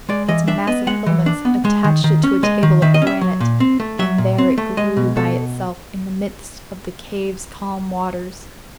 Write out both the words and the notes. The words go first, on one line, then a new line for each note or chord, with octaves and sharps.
Its mass of filaments attached it to a table of granite, and there it grew by itself in the midst of the cave's calm waters.
G#3 D5
E3 D#5
D4 E5
B3 D#5
G#3 F#5
E3
D4
B3
G#3
D#3
D#3
C#4
G#3 D#5
D#3
D#3 E5
D#5
C#4
E5
F#3
A#2
C4
A3
F#3 E5
A#2
C4
A3
G#3 D#5
B2
B2 A4